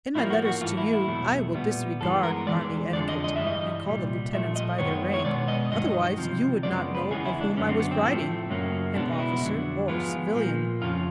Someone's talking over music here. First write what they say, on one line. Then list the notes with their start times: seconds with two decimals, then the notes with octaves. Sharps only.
In my letters to you I will disregard army etiquette, and call the lieutenants by their rank, otherwise you would not know of whom I was writing--an officer or civilian.
0.15 A2 F3 A#3 E4
0.30 F#4
0.45 F#4
0.61 G#2 E3 A3 F4
0.77 E4
0.93 E4
1.07 E2 B2 F#3 A3
1.54 A#2 G3 B3
2.00 G2 E3 G#3 B3 A4
2.23 A#4
2.47 E2 C3 E3 G#3 D5
2.93 F2 D3 F3 G#3 D5
3.08 D#5
3.24 D#5
3.36 G2 E3 G3 E5
3.47 D#5
3.86 C2 A#2 G3
4.32 A#2 F3 A3 E5
4.56 D#5
4.78 F#2 D#3 G#3 B3 C#5
5.14 C#5
5.24 B2 G#3 B3 D5
5.48 D#5
5.71 G2 D#3 F#3 D#5
6.18 C#2 C3 F3
6.63 F#2 C#3 F3 G#3 B3 D5
6.95 B4
7.10 E2 C#3 E3 G#3 B3 G#4
7.25 E4
7.41 D4
7.57 F#2 D3 F#3 B3 C#4
7.69 C4
7.80 B3
7.91 C4
8.03 A2 F3 A3
8.49 F#2 C#3 F#3 A#3
8.95 B2 G#3 B3 D4
9.12 D#4
9.19 E4
9.42 F2 D3 F#3
9.88 G#2 F3 G#3 B3 F4
10.35 A#2 F3 A#3
10.81 F2 C#3 F3 F4